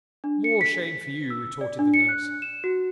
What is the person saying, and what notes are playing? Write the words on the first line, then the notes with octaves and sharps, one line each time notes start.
'More shame for you,' retorted the nurse.
D4
C#7
B6
E6
D5
D4
C#7
F#6
E7
F#4